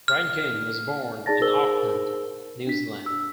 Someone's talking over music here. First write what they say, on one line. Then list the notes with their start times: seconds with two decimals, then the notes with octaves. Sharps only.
Rankin was born in Auckland, New Zealand.
0.08 F6
1.26 D#4 G#4 D5 A5 A6 A#6
1.41 D#4 G#4 A#4 C5 E6 G7
2.67 D4 B6
3.06 E6